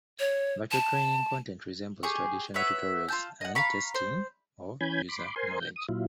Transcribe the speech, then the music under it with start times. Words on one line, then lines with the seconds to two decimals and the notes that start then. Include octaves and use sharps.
Virtual training content resembles traditional tutorials and testing of user knowledge.
0.19 C#5
0.71 A5
2.03 G4 G#4 C#6
2.54 B4 C#5 E5 F#5
3.08 F4 A5 G6
3.41 D#5 F#5
3.55 F5 A#5 B5 C#6
3.94 C5
4.81 E3 C#4 G#5 B5 G6 G#6
5.08 B5 C6 D6
5.36 A#4 C5 G#5 C6
5.60 G6
5.76 D#6
5.89 A#2 F#3 E4 F4